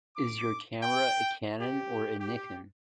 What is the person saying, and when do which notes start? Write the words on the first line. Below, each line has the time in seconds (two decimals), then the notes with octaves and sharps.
Is your camera a Canon or a Nikon?
0.17 D6
0.81 G5
1.60 G4
2.19 G4